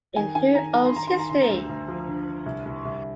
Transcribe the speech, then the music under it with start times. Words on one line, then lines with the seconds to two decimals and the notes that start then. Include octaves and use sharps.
In Who Owns History?
0.16 D#3 G#5
0.35 D#3 G#5
0.55 D#3 A#5
0.74 D#3 A#5
0.85 C6
0.93 D#3 A#5
1.07 D#3 C6
1.19 A#5
1.30 D3 C6
1.42 A#5
1.50 D2
1.70 D2
1.88 F3
2.08 D3
2.28 D3
2.46 C2
2.66 C2
2.85 C2